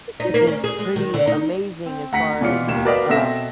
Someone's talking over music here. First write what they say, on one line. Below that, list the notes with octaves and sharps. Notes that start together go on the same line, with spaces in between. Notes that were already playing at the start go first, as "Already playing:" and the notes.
Which is pretty amazing as far as, um,
D#4
A#3
C#4
G#4
G#3
D#3
D3
D#4
C4
D2 F#5 A#5 B6 C#7
B2 E3 F4 D5 C#7
E1 D#2 E7
F#4 A#4 B4 D5 D#5 F5
B2 C4 A4 E5 A#6 E7